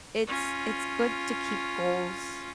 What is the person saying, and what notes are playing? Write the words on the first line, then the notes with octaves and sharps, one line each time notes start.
It's it's good to keep goals
C#4 F4